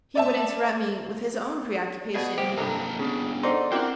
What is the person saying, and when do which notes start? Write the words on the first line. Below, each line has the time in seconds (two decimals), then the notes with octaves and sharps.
He would interrupt me with his own preoccupation.
0.15 D5 E5 A5
2.15 B2 G#4 D5 F#5
2.38 G3 A#3 G4 C5 D#5
2.57 C2 G2 A#3 A4 A5 A#5
2.99 C#3 B3 D4
3.43 D#4 G#4 A4 C5 D5 F#5 C6
3.72 C4 C#4 E4 F#4 A#4 F#5 G5 D6